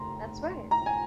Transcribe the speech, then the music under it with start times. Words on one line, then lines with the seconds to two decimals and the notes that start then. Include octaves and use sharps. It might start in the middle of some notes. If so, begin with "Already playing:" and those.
That's right.
Already playing: F1 D#2 C#3 A#5 C6
0.71 A#5
0.86 G#5